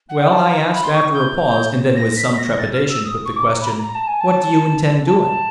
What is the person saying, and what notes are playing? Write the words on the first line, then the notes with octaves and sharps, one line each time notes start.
"Well," I asked after a pause, and then with some trepidation put the question, "what do you intend doing?"
F#5
A5
A#5
B5
C6
C#6
G6
A#6
B6
A#6
A6
F6
E6
D#6
C#6
D6
A#5
B5
A#5
A#5
A5
G#5
A5
A5